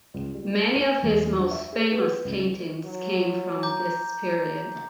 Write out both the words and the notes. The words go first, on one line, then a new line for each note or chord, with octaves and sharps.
Many of his most famous paintings come from this period.
C#2
G3
D#7
E1
D4
E5
G#4
B3
C#2
F#3
A#5 D6 G6